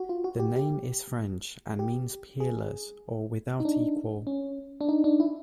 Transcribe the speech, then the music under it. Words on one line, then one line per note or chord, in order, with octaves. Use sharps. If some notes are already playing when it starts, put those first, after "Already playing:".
The name is French and means 'peerless' or 'without equal'.
Already playing: F#4
F4
F#4
G4
G4
G4
G#4
D#4
D4
C#4
D4
D#4
D4
E4